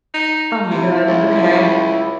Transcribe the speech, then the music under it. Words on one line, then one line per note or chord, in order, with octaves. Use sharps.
Oh, my god. Okay.
D#4
C3 E4
C#2